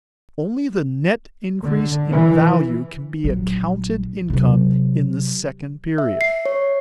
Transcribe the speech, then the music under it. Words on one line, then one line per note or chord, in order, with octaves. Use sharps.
Only the net increase in value can be accounted income in the second period.
D3
E3
A#1 F#3
C3 F#3
E5
C7
C#5